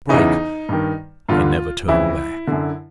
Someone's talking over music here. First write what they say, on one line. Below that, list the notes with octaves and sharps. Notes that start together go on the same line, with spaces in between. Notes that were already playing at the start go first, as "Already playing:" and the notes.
Strike!' I never turned back.
E2 C#3 E3 D#4
G2 D#3
G2 D3 F4
F2 C#3 E3 E4
F#2 D3